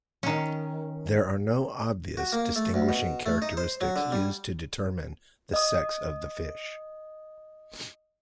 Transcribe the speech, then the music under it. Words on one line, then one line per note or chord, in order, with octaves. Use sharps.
There are no obvious distinguishing characteristics used to determine the sex of the fish.
D#3 C#4
F#4
A#3
A3
D2
B2
A3
D#4
C5
F#3
D3
G3
D#5 D#6